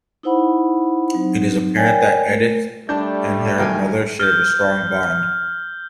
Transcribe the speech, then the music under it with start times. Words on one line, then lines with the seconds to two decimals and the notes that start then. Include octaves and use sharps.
It is apparent that Edith and her mother shared a strong bond.
0.23 D#4 E4 C5 F#5 B5
1.13 F#3 C4 D#4
1.77 A#4 C#5 D5 G5 G#5
2.27 A3 A#4
2.89 G3 A3 D4 A5 G6
3.58 B1 D#3 F#3 F5 G5 G#5
4.20 F6 G6